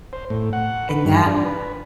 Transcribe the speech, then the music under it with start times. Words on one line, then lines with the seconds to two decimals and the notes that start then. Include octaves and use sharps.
And that
0.13 C5
0.30 A2
0.53 F#5
0.89 B4
1.05 G2
1.26 D4
1.45 B4